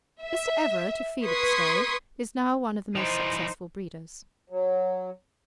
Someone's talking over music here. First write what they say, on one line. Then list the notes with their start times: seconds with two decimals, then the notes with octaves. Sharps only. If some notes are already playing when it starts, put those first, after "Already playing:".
Mr. Everett, of Felixstowe, is now one of the most successful breeders.
0.21 E5
1.23 B4 C6 C#6 D#6 G#6 B6
2.95 E3 F3 D#4 C5
4.50 F#3